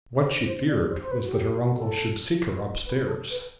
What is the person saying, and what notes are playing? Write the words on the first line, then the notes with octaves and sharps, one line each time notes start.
What she feared was, that her uncle should seek her up-stairs.
C5
C5
D5
C5
C5
B4
F#4
G4
F#4
A4
B4
B4
A4
B4